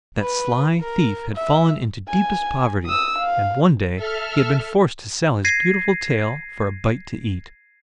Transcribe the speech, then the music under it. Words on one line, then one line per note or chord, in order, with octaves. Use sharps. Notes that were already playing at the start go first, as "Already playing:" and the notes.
That sly thief had fallen into deepest poverty, and one day he had been forced to sell his beautiful tail for a bite to eat.
B4
A#4
E5
G#5
D#6 E6
F5
A4 E5 F6
G#6 A#6 C7 D#7